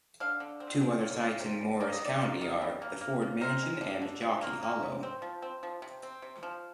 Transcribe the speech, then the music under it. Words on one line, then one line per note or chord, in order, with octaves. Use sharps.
Two other sites in Morris County are the Ford Mansion and Jockey Hollow.
D3 F5
D3
C4
C4
A#3
A#3
C3
G3
A#3 D5
D#5
D#3 D5
A#3
D#3
G3
A#3
A#3
A#3
C4 A#4
G#3
D3
D3
C3
A#3
A#3
C3
C4
F3
C4
F3
C3
C4
C3
F3